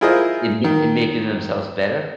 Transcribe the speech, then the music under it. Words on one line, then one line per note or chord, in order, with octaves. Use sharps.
in ma in making themselves better?
E4 F4 G#4 A#4 C5 D#5
D#3